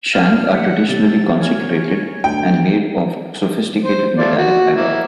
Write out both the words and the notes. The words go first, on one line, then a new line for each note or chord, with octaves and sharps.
Shang are traditionally consecrated and made of sophisticated metallic alloy.
F3 C#4 F5 F6
D5 F#5 B6
C3 G3 A3 A6
A#4 C#5 G#5 F6
D2 F#3 G5
C5
A3 F4 D5
F#4
A#3 E4